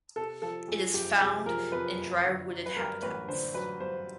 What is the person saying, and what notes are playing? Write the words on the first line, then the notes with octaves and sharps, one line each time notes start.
It is found in drier wooded habitats.
C3 A4
F3 A4
F2 G#4
F#1 G4
C3 G#4
F3 A#4
F2 B4
F#1
D3
F#3
B4
G2 A#4
A1 B4
D3 C5
F#3 B4
G2 C5